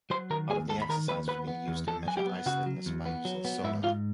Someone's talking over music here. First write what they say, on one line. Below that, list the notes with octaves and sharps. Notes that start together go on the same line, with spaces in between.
Part of the exercise was being used to measure ice thickness by using sonar.
F#3 C5 C6
D#3 A#4 A#5
D#2 G#4 G#5
D#2 A4 A5
B5
D#3 A#4 A#5
D#2 B4 B5
B3 B4 B5
B3
E2
E2 A4 A5
F#3 G#5
G4 G5
B3
C#3 F#4 F#5
F#3
E2
B3
F#3
B3
G#2 E4 E5
G#2 F4 F5